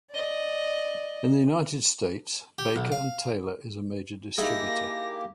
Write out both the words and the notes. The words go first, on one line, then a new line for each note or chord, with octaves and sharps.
In the United States, Baker and Taylor is a major distributor.
D5 D#5
G4
B1
F5
A#3 D#4 E4 G4 G#4 A#6